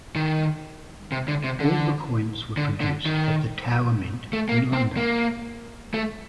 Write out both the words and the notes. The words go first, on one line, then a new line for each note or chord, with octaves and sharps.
All the coins were produced at the Tower Mint in London.
D#3
C3
D3
C3
D3
D3
D3
D#3
A3
A#3
C4
A#3
A3